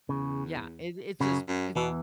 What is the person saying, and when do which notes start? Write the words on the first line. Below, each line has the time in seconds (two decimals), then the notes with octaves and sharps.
Yeah. It it's just it's
0.09 E2 C#3
1.20 F#2 C#3
1.48 F#2
1.76 E2 B2 E3